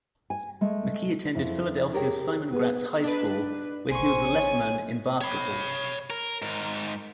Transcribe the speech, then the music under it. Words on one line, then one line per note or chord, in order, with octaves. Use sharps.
McKie attended Philadelphia's Simon Gratz High School, where he was a letterman in basketball.
G#5
G#3 A3
F2 E4
G4 G#4 A#4 C#5 E5 G5
B3 G#4
D4 B4
A#1 C5 G#5 C6 C#6
C#5
C#5 B5
A#4
G#2 A#4